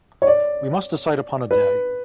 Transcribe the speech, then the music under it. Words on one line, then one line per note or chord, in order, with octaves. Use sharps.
We must decide upon a day.
C#5
D5
B4